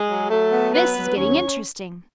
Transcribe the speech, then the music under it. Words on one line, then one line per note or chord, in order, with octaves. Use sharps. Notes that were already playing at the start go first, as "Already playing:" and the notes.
"This is getting interesting!"
Already playing: G#3 G#4
F#3
F#3 A3 A4
B3
F#3 B3 B4
F#3
D#2 C#4 C#5